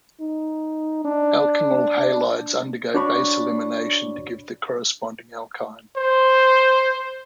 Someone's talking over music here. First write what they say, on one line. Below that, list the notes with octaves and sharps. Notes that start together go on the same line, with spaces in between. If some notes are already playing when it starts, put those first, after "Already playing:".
Alkenyl halides undergo base elimination to give the corresponding alkyne.
D#4
D4
D4 F#4 C#5 D5 B5 C#6
C5